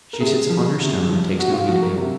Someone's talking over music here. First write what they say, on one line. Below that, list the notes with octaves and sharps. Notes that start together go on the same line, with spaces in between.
She sits upon her stone, and takes no heed of him.
A#4
C3 G#4
F3
C3
F3
C3 F#4
F4
F3 F#4
A#4
C3